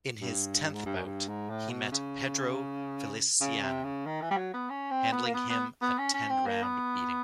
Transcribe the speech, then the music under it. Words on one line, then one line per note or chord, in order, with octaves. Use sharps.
In his tenth bout, he met Pedro Feliciano, handling him a ten-round beating.
G2
G#2
G2
F#2
G2
G#2
A2
B2
C#3
C#3
C3
C#3
D#3
E3
G3
F#3
B3
C#4
C4
B3
A#3
B3
B3
B3
C#4
C#4
C4
A#3
B3